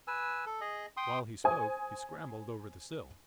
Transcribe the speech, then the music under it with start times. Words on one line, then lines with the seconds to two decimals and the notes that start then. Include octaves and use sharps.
While he spoke, he scrambled over the sill.
0.07 B4 G#5 E6
0.46 A4
0.61 G#4 D#5
0.97 G5 C6 D#6
1.44 C5 G#5 D#6